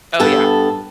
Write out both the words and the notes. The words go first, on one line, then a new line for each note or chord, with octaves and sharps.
Oh, yeah.
G2 B3 A4 A5